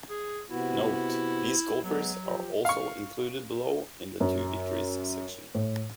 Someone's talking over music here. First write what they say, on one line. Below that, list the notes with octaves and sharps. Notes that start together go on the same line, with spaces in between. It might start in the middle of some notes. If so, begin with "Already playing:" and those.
Note: These golfers are also included below in the "Two victories" section.
G#4
C3 B3 E4 F#4
F#3 G#3 B3
F3 G4
F5 C#6
F#2
A2